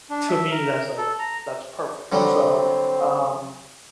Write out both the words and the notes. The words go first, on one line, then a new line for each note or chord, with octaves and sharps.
to me, that's, like that's perfect. So, um,
D4
E5
A#4
A4
A#5
D3 F#3 G3 C4